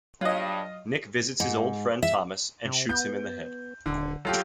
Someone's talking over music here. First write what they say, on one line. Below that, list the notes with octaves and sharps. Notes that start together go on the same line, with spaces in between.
Nick visits his old friend Thomas and shoots him in the head.
G2 F#3 F4 D#5
G#2
E5
C3
B3 G6
D#1 D3
F#3 F4 G4 A4